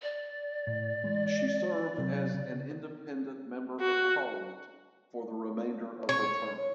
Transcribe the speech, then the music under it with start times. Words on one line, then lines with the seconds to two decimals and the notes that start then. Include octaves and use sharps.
She served as an independent member of parliament for the remainder of her term.
0.02 D5
0.67 A2
1.04 E3 G#3
1.98 C3 F#3 C4
2.34 C#3
3.80 F#4
6.09 C#5